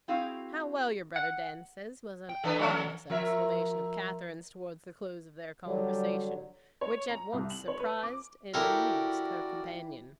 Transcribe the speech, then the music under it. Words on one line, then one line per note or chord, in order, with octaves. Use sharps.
"How well your brother dances!" was an artless exclamation of Catherine's towards the close of their conversation, which at once surprised and amused her companion.
C4 E4 F#4 G#4 F5 G5
F#5
G5
E3 A3 D4 B4
F3 A3 C#4
F3 A#4 E5
D3 F#3 G3
C#5
A#5
C2
F#7
C#5
B4
D6
E3 E4 F#4 G4 A4 A#4 D5